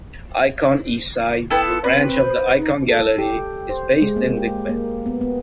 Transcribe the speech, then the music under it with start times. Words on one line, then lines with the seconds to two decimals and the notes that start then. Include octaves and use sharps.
Ikon Eastside, a branch of the Ikon Gallery is based in Digbeth.
1.51 B3 E4 A4 G5
1.67 F4
1.84 C4 B4
2.22 C5
2.58 D#4
2.88 A4
3.18 G4
3.69 C5
4.02 G#3
4.16 A#3
4.37 G4
4.69 A#3
5.06 B3
5.21 B3